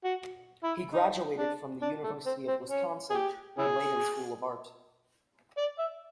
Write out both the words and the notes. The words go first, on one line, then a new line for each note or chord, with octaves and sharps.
He graduated from the University of Wisconsin and the Layton School of Art.
F#4
E4
D#4
D4
D4
A3
C4
C4
C#4
G#4
G4
C#4 E4 G#4
D5
E5